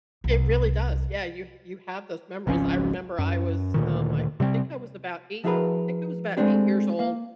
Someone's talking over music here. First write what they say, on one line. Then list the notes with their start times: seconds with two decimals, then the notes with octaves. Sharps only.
It really does, yeah, you you have those memories. I remember I was, um, I think I was about eight I think I was about eight years old,
0.24 C2
2.47 G#1 C#2 F3 C#4
3.19 F#2
3.74 D2 A#2 D#3
4.40 C3 G3 A#3 C4
5.44 F3 E4 F#4 G#4 A#4 B4
6.37 G#3 A3 C4 D4 G4
6.99 A#3 F5